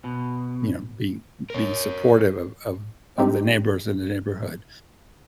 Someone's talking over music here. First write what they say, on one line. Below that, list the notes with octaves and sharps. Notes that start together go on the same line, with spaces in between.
you know, being being supportive of of of the neighbors in the neighborhood.
B2
A#4 C#5
G3 G#3 C4 D4 D#4 G4